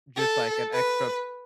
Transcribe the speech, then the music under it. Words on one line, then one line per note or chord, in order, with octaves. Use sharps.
just, like, an extra
A4
B4